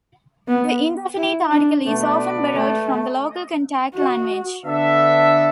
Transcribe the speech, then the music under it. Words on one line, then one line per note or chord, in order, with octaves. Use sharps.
The indefinite article is often borrowed from the local contact language.
B3
E4
D4
B2 A3 B3 D4 B4 D5
A3
F#4
D3 B3 D4 A4 E5